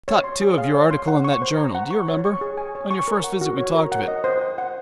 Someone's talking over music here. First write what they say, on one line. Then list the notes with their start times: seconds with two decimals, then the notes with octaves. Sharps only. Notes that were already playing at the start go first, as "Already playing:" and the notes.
I thought, too, of your article in that journal, do you remember, on your first visit we talked of it?
0.08 C#5
0.24 C6
0.42 G#4
0.58 F5
0.75 C#5
0.91 C6
1.08 F#5
1.24 C#6
1.42 C5
1.57 A#5
1.75 F#5
1.91 C#6
2.08 C#5
2.25 C#6
2.41 G#4
2.57 G#5
2.75 C#5
2.91 C#6
3.08 A#4
3.24 F#5
3.41 F#4
3.58 C#5
3.75 A#4
3.92 F#5
4.08 D#5
4.24 C5
4.41 C5
4.58 F#5